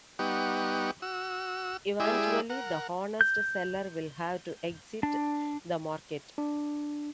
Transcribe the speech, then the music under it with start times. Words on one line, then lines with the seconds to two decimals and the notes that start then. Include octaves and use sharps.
Eventually, the honest seller will have to exit the market.
0.19 G3 B3 D#4 G4 F#5 C#6
1.02 F#4 E6
2.00 G#3 E4 G4 G#4 D5 E5
2.50 A#4 F#5
3.21 G6
5.03 D4
6.38 D4